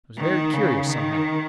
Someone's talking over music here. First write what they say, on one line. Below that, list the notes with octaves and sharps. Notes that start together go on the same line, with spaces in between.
It was very curious, somehow.
D#3
C#3
D#3